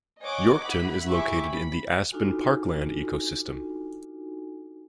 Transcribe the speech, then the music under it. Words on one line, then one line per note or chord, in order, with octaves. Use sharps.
Yorkton is located in the aspen parkland ecosystem.
C#5 D#5 F#5 G#5 D6
E4 F#5 B5
E4 G4 E5 G#5 C#6 D6
B5
D4 D#4 F4 F#4 A4 G#5